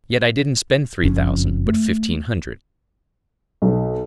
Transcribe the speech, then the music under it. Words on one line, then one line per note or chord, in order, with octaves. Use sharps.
Yet I didn't spend three thousand, but fifteen hundred.
F#1 F2 C#4
A3
B1